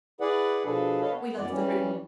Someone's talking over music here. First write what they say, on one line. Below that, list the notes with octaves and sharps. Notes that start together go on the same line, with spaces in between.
We left the room.
E4 G#4 B4 D5 F#5
B2 F3 D4 G#4 A4 B4
A4 B4 C#5 D#5 F5
B3
F#2 E3 B3 D5
E3 G3 C#4